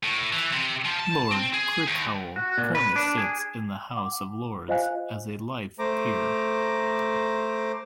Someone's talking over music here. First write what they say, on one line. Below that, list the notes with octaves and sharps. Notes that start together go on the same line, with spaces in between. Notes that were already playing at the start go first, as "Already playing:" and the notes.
Lord Crickhowell currently sits in the House of Lords as a life peer.
A2
E3
C3
F3
A5
C4
G#4
D#2
F#4
A#2
B4
D4
G#4
F#5 D6
F4 C5 D#5 F5 G#5 F#6
A3 C5 A#5 D6